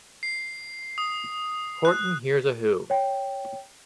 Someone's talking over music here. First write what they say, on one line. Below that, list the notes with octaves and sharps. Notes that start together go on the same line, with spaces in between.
Horton Hears a Who!
C7
D#6
F#6
C#5 G5